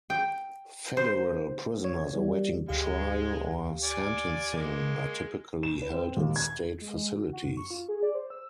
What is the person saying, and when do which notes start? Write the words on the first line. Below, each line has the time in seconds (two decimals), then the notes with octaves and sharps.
Federal prisoners awaiting trial or sentencing are typically held in state facilities.
0.10 G5
0.97 C5
1.84 C#5
2.15 G3
2.68 D2 G#3 G4 F5
3.84 D5 G#5
4.57 G#3 A#3
5.63 E7
5.82 B4
5.93 C4
6.17 D#2
6.36 G#6
6.81 G#3
6.93 G#3
7.14 F#4
7.33 F#4
7.45 F#2
7.57 C#6
7.71 F4
7.89 G#4
8.03 D5
8.15 C5
8.30 E6